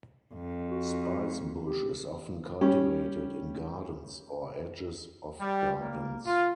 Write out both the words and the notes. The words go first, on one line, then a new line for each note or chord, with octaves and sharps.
Spicebush is often cultivated in gardens or edges of gardens.
F2
F#4
G4
G3 C#4
G3
A#3
F4